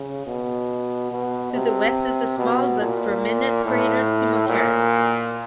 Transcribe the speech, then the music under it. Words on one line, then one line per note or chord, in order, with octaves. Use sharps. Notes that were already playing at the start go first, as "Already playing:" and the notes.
To the west is the small but prominent crater Timocharis.
Already playing: C#3
B2
B2
C3
B2
A#2
A2
A#2